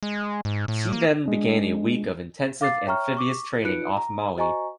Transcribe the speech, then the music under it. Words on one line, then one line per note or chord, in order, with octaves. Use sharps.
She then began a week of intensive amphibious training off Maui.
G#3
G#2
A2
A#3
G#3 D4
F5 D6 A6 C7
C#5 E5 G5 A#5 C#6 F6
C#6 D6
D#4 F4 B4 F#6 C#7 D7
A#5
F#4 C5 D#5 G#5 A#5 C#6